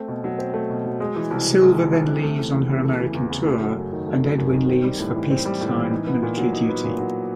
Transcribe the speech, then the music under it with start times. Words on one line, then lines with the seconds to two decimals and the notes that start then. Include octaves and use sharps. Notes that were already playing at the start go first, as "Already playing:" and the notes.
Silva then leaves on her American tour, and Edwin leaves for peacetime military duty.
Already playing: A3 C4
0.08 B2
0.24 F#3
0.39 C4
0.54 A3
0.70 B2
0.85 F#3
1.00 G#3
1.16 E3
1.31 C2
1.46 C3
1.62 G#3
1.76 E3
1.92 C2
2.08 C3
2.23 A3
2.39 E3
2.54 E2
2.69 C#3
2.84 A3
2.99 E3
3.15 E2
3.30 C#3
3.46 A3
3.61 F#3
3.76 F#2
3.92 D#3
4.08 A3
4.23 F#3
4.38 F#2
4.54 D#3
4.69 C4
4.84 G3
4.99 A2
5.15 E3
5.30 C4
5.46 G3
5.61 A2
5.76 E3
5.91 D#4
6.07 B3
6.23 A#2
6.38 F#3
6.53 D#4
6.69 B3
6.84 A#2
6.99 F#3